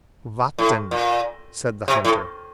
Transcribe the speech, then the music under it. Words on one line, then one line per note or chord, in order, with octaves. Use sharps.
"Vatten," said the hunter.
A2
A#2
C3
A2